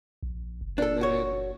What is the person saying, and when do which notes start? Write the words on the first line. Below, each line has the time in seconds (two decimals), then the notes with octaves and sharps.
and then
0.23 A#1
0.61 F#1
0.78 D4 A4
1.01 F#4 C#5